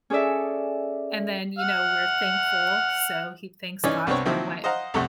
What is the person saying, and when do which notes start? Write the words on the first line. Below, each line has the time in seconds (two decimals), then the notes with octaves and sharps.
and then, you know, we're thankful, so, he thanks God for what,
0.10 C#4 G#4 A4 D5 E5
1.59 F#5 F6
3.84 E3 C#4 D#4 C#5 D5
4.07 C2 B3 C4 D4 C#5 C#6
4.25 D#3 F3 F#3 A#3 C4 E4
4.64 C5 D#5 F5 F#5 A#5
4.94 C2 F2 A3 F#5 C#6